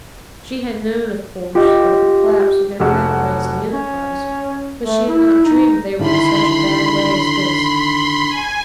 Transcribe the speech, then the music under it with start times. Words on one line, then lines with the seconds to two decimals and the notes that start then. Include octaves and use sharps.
She had known, of course, of the collapse of their cattle-raising enterprise, but she had not dreamed they were in such a bad way as this.
1.55 F4 G4 D#5
2.80 F1 F#4
3.73 C#4
4.84 A3
5.07 E4
5.44 D#4
5.99 D3 D#3 E4 B5 C6
8.29 G#5